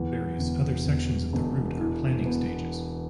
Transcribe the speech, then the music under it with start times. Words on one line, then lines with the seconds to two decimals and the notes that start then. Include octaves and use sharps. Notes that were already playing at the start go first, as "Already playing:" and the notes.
Various other sections of the route are planning stages.
Already playing: E2
0.39 E1
0.86 E1
1.33 E1
1.79 E3
2.26 B3